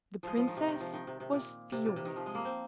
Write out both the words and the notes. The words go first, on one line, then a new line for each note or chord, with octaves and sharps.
The princess was furious.
F3 G#3
F3
D#3
C3
D#3
F3
D#3
C3
C3
A#2
C3
A#2
C3
D#3
F3
G#3
A#3
C4